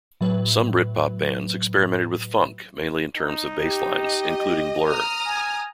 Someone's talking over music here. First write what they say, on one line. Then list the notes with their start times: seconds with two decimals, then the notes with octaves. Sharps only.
Some Britpop bands experimented with funk, mainly in terms of bass lines, including Blur.
0.21 A2 F#3 B4
3.17 D#4
3.59 G4
4.03 D#5
4.87 A#5 D#6 F6
5.26 G#5